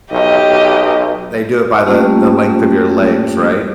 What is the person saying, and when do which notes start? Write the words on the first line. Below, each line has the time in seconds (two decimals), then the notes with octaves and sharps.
they do it by the the length of your legs, right?
0.13 B1 G4 D#5
1.86 G3 A3 A#3 C#4 F4 G4